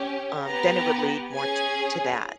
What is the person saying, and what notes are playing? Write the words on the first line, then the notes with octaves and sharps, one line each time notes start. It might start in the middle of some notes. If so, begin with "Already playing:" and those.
um, then it would lead more t to that.
Already playing: C#4 G4
B3 G4 A#5
C#4 G#4 G#5